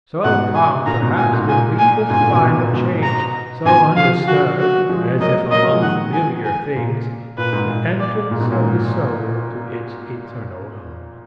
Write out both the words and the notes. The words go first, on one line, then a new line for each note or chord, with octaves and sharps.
So calm, perhaps, will be the final change--so undisturbed, as if among familiar things, the entrance of the soul to its eternal home.
G#2 B2 F#5
G#5
A#2 D3 A#5
G#2 B2
A#2 G#5
G#2
A#2 G#5
G#5
G#2 B2 G#5
A#2 D3
B2 D#3
B2 D#3
A#2
G#2 B2
A#5
B2 D#3 G#5
D3 F3 F5
F#4
F#4
F3 G#3
F#3 A#3 D#5
F#3 A#3 D#5
F#3 A#3
F3 G#3
D#3 F#3 F#5
G#5
G#5
A#2
A#2 B4
G#2
A#2
D5
A#2
G#2 B2
A#2
G#2